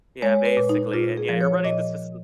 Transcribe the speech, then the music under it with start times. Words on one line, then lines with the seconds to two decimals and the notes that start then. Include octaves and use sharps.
Yeah, basically, and yeah, you're running this facil
0.22 G#3 C#5
0.45 B4
0.57 A#2
0.69 D#4
0.93 A#2 F4
1.17 G#4
1.29 F3
1.41 C#5
1.64 A#2 D#5